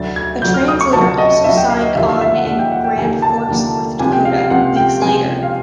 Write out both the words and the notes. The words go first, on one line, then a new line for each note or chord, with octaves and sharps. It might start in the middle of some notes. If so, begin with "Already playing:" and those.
A translator also signed on in Grand Forks, North Dakota, weeks later.
Already playing: D2 D3 F#3 A6
G#6
D2 D3 F#3 G6
F6
D#6
C#6
D2 D3 F#3 A5
D#5
D2 D3 F#3 E5
G5
F5
D#5
D#2 D3 F3 A#3 E5
F5
E5
F#5
D#2 D3 F3 A#3 F#5
G5
F#5
G5
D#2 D3 F3 A#3 G#5
A5
D#2 D3 F3 A#3
C#2 C3 F3 G#5
G5
F5
F5
C#2 C3 F3 F#5
G5
C#2 C3 F3 G#5
F5